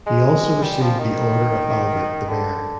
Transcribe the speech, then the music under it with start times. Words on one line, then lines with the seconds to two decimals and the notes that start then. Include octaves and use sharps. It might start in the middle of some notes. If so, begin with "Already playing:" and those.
He also received the Order of Albert the Bear.
0.06 G#3
0.62 G3
0.81 F3
0.99 D#3
2.29 D3